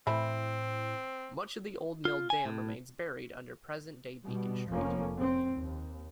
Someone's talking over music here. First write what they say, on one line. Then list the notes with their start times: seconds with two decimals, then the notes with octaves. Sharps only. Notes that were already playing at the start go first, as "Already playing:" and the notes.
Much of the old mill dam remains buried under present-day Beacon Street.
0.07 A2 E3 A3 C4 B5
2.05 F4
2.30 G#5
2.45 A2
4.27 B2 G3
4.71 F1 F2 F3 A#3 C#4
5.18 C4
5.54 D#2